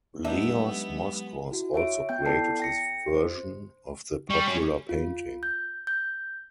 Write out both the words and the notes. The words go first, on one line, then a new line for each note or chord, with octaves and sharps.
Leos Moskos also created his version of the popular painting.
F#3 G#3 B3 D4 D#4 G4 E5
E4 F#4
C#5 E5 D7
B3 G5 G6
B3 E4 A4 D5 A5 C7
G5 A#6 C#7
C5
G3 C#6
C#4 F#4
F4
G6
G6